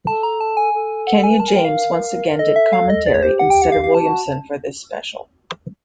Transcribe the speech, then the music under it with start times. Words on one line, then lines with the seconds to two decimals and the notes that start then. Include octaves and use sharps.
Kenna James once again did commentary instead of Williamson for this special.
0.07 A4 A5
0.23 A#5
0.41 A5
0.57 G#5
0.74 A4
1.07 F#5
1.24 G#5
1.30 B4
1.40 A#4 A5
1.48 G#5
1.56 G5
1.65 F5
2.29 A#4
2.39 A4 D#5
2.56 E5
2.73 F5
2.90 D#5
3.06 G#4 D5
3.14 C#5
3.22 G4 C5
3.39 F#5
3.50 G5
3.62 F#5
3.72 F5
3.84 F5
3.94 A5
4.06 F#4